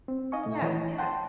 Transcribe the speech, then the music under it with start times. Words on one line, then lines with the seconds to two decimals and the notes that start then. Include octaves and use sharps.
Yeah, yeah.
0.08 C4
0.32 D#4 D#5 F5 G#5 C#6
0.46 A#2 A3
0.62 E3 C#5 D#5
0.98 F#5 G5 A5 C6